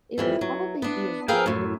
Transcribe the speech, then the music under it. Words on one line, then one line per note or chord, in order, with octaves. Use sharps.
it would probably be a good
F2 E3 G3
F#3
B3 D4
G#4 A#4 B4 E5 F5 G5
F#2 A2